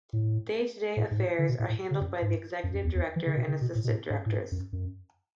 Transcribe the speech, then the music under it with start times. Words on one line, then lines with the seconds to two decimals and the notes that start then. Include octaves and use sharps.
Day-to-day affairs are handled by the Executive Director and Assistant Directors.
0.13 A2
0.97 A2
1.11 G#2
1.18 A2
1.39 D3
1.49 B2
1.59 A2
1.70 A2
1.91 C#3
2.01 F#2
2.22 G#2
2.64 F#2
2.74 F#2
2.84 E2
2.95 E2
3.16 E3
3.26 C#3
3.37 B2
3.47 C#3
3.61 B2
3.75 A2
3.84 B2
3.89 A2
4.10 G#2
4.26 A2
4.31 G#2
4.52 F#2
4.73 F#2